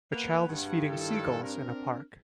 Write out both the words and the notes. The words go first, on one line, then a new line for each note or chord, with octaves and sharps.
A child is feeding seagulls in a park.
A#3 B3 B4
G#1 G2 F#5
D#3 E4 A4
C4 D4 A#4